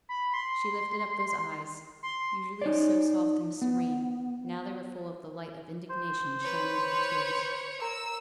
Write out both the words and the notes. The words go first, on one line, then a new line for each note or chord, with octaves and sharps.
She lifted up those eyes, usually so soft and serene; now they were full of the light of indignation shining through tears.
B5
C6
C6
D#4 C#5 D5
B3
C5
B4 C#5
A#4 E6